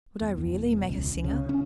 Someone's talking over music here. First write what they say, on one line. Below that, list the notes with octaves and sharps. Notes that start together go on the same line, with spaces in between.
Would I really make a singer?
E2
E2
E1
E1
C#2
C#2
C#3
C#4